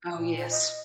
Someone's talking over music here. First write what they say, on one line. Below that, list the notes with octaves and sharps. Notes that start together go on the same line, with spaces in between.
Oh, yes.
F4
A#2
C5
D#5